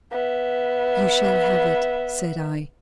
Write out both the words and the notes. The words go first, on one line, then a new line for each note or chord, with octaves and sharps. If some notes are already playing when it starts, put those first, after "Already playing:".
"You shall have it," said I.
B3 E5